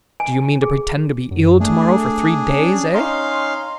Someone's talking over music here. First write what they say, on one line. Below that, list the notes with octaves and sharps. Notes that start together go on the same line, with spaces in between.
"Do you mean to pretend to be ill to-morrow for three days, eh?"
G#5
G#4
F#2
A3 D4 G#4
C#4
C#4 D#4 F5 C6